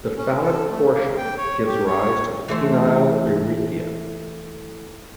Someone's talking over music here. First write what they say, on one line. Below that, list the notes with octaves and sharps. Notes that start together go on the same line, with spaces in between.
The phallic portion gives rise to the penile urethra.
C#4
A4
A3
A#3
G5
C#5
G4
C#5
E3 A3 C5